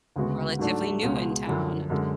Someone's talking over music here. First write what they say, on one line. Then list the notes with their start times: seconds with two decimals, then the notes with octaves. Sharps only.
"Relatively new in town."
0.16 D2 C#3 G#3 B3 F#4
0.59 G#2 F#3 A3 D4
1.03 C#2 B2 G#3
1.46 F#2 D3 F3
1.90 F#2 D3 G#3